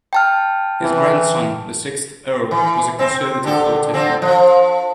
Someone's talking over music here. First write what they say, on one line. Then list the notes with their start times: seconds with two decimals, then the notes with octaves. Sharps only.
His grandson, the sixth Earl, was a Conservative politician.
0.13 G5 A5 F6
0.81 E3
2.51 E3
2.99 C4
3.44 D3 G4 A4
3.94 D3 F3 C4
4.22 F3